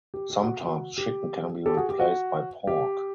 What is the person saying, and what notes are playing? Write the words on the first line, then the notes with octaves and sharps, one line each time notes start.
Sometimes chicken can be replaced by pork.
G4
G4
F#4
F#4
G4
G4 A4
F#4 G#4
G4
F#4
G4